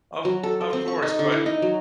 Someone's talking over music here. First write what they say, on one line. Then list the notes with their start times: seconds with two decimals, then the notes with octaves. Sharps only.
Of of course but
0.25 F#3
0.43 A4
0.61 A4
0.73 C4
0.88 C#6
1.02 D#4
1.19 D3
1.32 E4
1.46 D#4
1.62 F#3